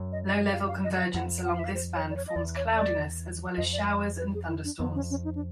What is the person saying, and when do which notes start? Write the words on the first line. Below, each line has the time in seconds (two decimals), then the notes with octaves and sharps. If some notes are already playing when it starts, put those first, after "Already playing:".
Low-level convergence along this band forms cloudiness as well as showers and thunderstorms.
Already playing: F#2
0.12 D#5
0.32 D#5
0.53 F5
0.68 F5
0.84 D#5
0.99 F5
1.14 F2 F#5
1.44 F#5
1.52 F5
1.59 E5
1.65 F5
1.75 C5
1.95 C#5
2.10 D5
2.16 C#5
2.27 D#5
2.36 E2 D5
2.57 C#5
2.76 D5
3.58 F2 D#5
3.73 D5
3.88 D#5
4.18 B4
4.34 G#4
4.48 E4
4.64 D4
4.80 F2 B3
4.95 C#4
5.10 C#4
5.24 D#4
5.35 D4